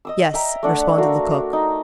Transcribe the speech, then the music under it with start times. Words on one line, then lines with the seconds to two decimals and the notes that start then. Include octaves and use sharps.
"Yes," responded Lecoq.
0.05 D#5 D#6 E6
0.34 E5 G5 A#5
0.63 A3 D4 F#5
0.98 A3 F#4 A#4 F5
1.53 D#4